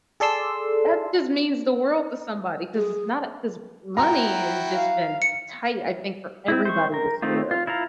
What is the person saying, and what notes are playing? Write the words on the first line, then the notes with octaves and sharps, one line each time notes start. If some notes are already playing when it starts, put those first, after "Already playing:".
that just means the world to somebody 'cause it's not a 'cause money has just been tight, I think, for everybody this year,
G#4 A4 D5 C6 E6
G#4
E4 F#4 G5 A#5
F5
C#7
C4 E4
C5 C#6
A#4
D#3 A3 C4 D#4 F4
F4
E4 F4 F5 A#5